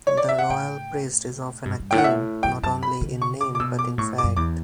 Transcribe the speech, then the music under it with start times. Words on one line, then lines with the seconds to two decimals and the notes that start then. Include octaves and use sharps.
The royal priest is often a king, not only in name but in fact.
0.07 C#5
0.17 D5
0.29 E5
0.39 F#5
0.50 A2 G5
1.66 G2
1.80 G2
1.91 A2 G5
1.98 F#5
2.04 E5
2.43 F#2 G5
2.63 F#2 A5
2.83 B5
3.01 C#3
3.22 C#6
3.41 D6
3.55 D6
3.60 B2 E6
3.79 D6
3.98 A2 C#6
4.18 D6
4.24 F#2
4.37 E2 D6